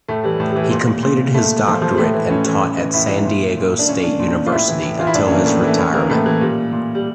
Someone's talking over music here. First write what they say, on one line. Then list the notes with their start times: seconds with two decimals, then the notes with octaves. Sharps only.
He completed his doctorate and taught at San Diego State University until his retirement.
0.08 A2 A3
0.24 E3 G3
0.40 A2
0.51 G3
0.56 E3
0.62 G3
0.71 A#2
1.03 A#2
1.34 A#2 A3
1.67 A#2 F3
1.82 F3
1.94 G3
1.98 A2 A3
2.14 E3
2.29 A2 C#4
2.45 E3
2.62 A2
2.77 E3
2.94 A2 E4
3.08 E3
3.25 A#2
3.57 A#2
3.79 D4
3.88 A#2 C#4
4.03 D4
4.19 A#2
4.46 F4
4.51 A2 E4
4.68 E3
4.82 A2
4.99 E3 F4
5.07 E4
5.14 A2 D4
5.27 C#4
5.30 E3 A#3
5.46 A2 A3
5.63 E3 A3
5.77 A2 C#4
5.94 E3 A#3
6.10 A2 A3
6.26 E3
6.41 A#2 G3
6.72 A#2
6.95 G3